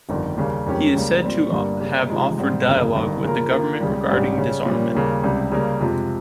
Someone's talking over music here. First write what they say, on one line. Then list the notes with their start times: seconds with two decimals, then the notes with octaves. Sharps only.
He is said to have offered 'dialogue' with the government regarding disarmament.
0.09 G1 F2 D#3 G3
0.37 D#2 C#3 G3 A#3
0.66 F2 D#3 G#3 C#4 G4
0.95 C#2 C#3 G3 A#3
1.24 A#2 G3 C4
1.52 G1 G2 G3 A#3
1.80 C#3 G3 A#3
2.10 C3 F3 G#3 D#4
2.38 G#2 G3 C4
2.66 G1 F2 C#3 G3 A#3
2.94 G1 G2 D#3
3.24 C#3 F3 A#3 F4 A#4
3.51 D#3 A#3 F4
3.80 C#2 C#3 G3
4.09 A#1 G#2 G3 C#4 G4
4.38 C#3 G3 C#4
4.66 A#2 G3 C#4
4.95 D#2 C#3 G3 A#3
5.24 C#2 C3 G3
5.52 C#3 G3 A#3
5.80 F2 C3 F3 G#3